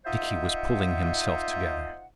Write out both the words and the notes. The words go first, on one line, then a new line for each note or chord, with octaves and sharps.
Dickie was pulling himself together.
D#4 F4 C5 D#5 E5 F#5